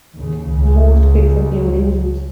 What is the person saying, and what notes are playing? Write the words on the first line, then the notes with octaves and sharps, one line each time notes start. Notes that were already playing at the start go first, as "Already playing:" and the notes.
Most kits include engines.
D#2 C#3
C#2